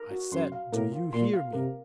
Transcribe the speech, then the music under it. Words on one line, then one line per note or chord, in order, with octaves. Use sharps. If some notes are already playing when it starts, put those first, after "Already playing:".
"I said, do you hear me?"
Already playing: A#4
F#4
F#2 C6
F5
A2 A#4
F4
A#2 C6
F5
C3 A#4